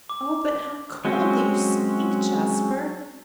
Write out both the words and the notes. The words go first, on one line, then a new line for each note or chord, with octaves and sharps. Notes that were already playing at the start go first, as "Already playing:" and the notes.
'Oh, but how coldly you speak, Jasper!'
D6
F#3 G#3 C4 C#4 F#4